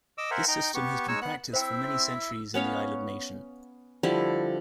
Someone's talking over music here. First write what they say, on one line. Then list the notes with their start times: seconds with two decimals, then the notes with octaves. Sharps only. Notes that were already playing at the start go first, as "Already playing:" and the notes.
This system has been practised for many centuries in the island nation.
0.18 D#5 D6 E6
0.31 A#4 C5 E5 F#5 G#5 A#5
0.48 D#4 G5 A#5
0.75 B3 G4 C#6
1.08 G#3 D#4 C#5 G#5 C#6 E6
1.22 B3 F#5 F#6
1.53 C4 E4 C5 E5 G5 E6
2.54 B3 C#4 C#5 F5
4.03 D3 F3 G3 E4